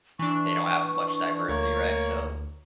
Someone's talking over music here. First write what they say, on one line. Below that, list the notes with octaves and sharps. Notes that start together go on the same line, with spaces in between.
they don't have much diversity, right? So
E3 D4 C#6
D2 A#3 C#5